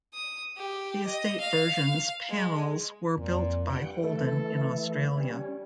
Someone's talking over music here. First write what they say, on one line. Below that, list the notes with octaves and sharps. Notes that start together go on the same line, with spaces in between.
The estate version's panels were built by Holden in Australia.
D#6
G4
D#5
F5
G#3
F2 A#2
G2 F#5 G5
E3 A3 A4
G3 C#4